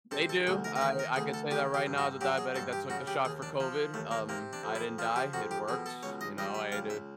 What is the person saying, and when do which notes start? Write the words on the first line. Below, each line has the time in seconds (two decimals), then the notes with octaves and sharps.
They do, I I could say that right now as a diabetic that took the shot for COVID, um, I didn't die, it worked, you know? I had to
0.11 C3 A4
0.29 A4
0.47 D2 G#4
0.64 A#4
0.76 A#4
0.81 D#3 B4
0.99 A#4
1.16 D2 G#4
1.34 A4
1.51 D#3 G4
1.74 G4
1.86 G2
1.98 F#4
2.21 F#3 G4
2.38 G#4
2.55 G2 A4
2.73 G4
2.90 C#3 F#4
3.07 G4
3.25 D#2 G#4
3.42 D4
3.60 F3
3.94 D#2 A3
4.11 A#3
4.29 C3 A#3
4.53 D4
4.63 F2
4.75 E4
4.99 F3 F4
5.16 G4
5.33 F2 F#4
5.51 G4
5.68 B2 G#4
5.86 A4
6.03 C#2 C#5
6.21 D#5
6.38 G3 D#5
6.55 E5
6.72 C#2 F5
6.90 E5